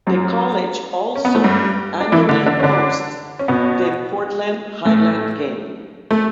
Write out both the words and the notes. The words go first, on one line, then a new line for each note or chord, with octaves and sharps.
The college also annually hosts the Portland Highland Games.
F#2 F#3
C#4
B3
A3
G2 G3
D4
E3 E4
D3 D4
D3 D4
C#4
D3 D4
C#4
B2 B3
A2 A3
A3